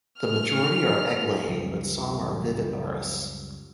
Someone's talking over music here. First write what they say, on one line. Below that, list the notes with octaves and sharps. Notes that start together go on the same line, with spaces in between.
The majority are egg-laying, but some are viviparous.
F6
C#2 F#2 F3 G3